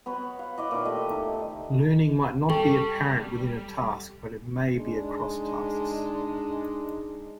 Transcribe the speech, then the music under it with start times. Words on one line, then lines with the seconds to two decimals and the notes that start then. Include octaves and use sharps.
Learning might not be apparent within a task but it may be across tasks.
0.06 B3 F#4 B4 C#5
0.39 F5 F#5
0.58 E4 D5 D#5
0.71 A#2 D#3
0.85 A3 G4 D#5
1.10 D#4
2.50 G3 A4 G5 C#6
4.77 G#3 D4 D#4